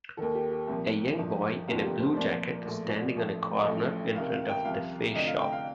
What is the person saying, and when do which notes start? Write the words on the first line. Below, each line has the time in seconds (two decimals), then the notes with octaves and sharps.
A young boy in a blue jacket standing on a corner in front of THEFACESHOP.
0.17 D#2 D#3 A4
0.35 G4
0.51 G4
0.68 C2 A#2 F3
1.18 G1 G2 F3
1.68 F1 D#2 D3 F3 F4
1.84 G4
2.00 C5
2.16 C2 A#2 F3 D5
2.66 A#1 A2 F3
3.16 A1 A2 F3
3.65 A1 A2 F3
4.15 C2 C3 D#3 F5
4.32 F5
4.49 G5
4.65 C2 C3 F3 F5
5.14 F1 F2 D3 D#5
5.27 F5
5.40 G5
5.52 F5